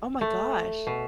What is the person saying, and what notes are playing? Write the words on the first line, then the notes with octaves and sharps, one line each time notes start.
Oh my gosh.
A3
B2